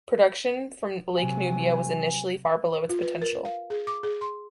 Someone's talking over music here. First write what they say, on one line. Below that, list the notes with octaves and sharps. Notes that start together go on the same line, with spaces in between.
Production from Lake Nubia was initially far below its potential.
C3 F#3 G#5
F4
B4
A#4
F5
G#4
D6
G#4
C6